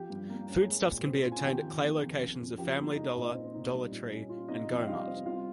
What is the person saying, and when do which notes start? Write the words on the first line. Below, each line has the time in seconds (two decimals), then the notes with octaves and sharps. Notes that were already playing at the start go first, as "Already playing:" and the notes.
Foodstuffs can be obtained at Clay locations of Family Dollar, Dollar Tree, and Go-Mart.
Already playing: F3 G4 G5
0.10 G2
0.29 A#3
0.48 C#4
0.68 G#3
0.86 A#2
1.06 C4
1.25 F4
1.32 G#5
1.43 D#3 G4 G5
1.63 F2
1.83 A#3
2.01 F2
2.20 C#3
2.40 F2
2.58 F3 G4 G5
2.77 A#3
2.96 G#3 D#4 D#5
3.16 A#2
3.34 C4
3.54 D#4
3.73 G3
3.91 A#2
4.11 C#4
4.30 F4
4.49 C3 D#4 D#5
4.69 F2
4.81 G5
4.87 G3 F4 F5
5.07 C4
5.25 G3 F4 F5